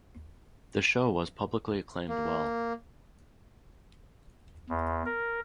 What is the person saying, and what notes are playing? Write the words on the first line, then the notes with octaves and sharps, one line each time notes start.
The show was publicly acclaimed well.
A#3
E2
A#4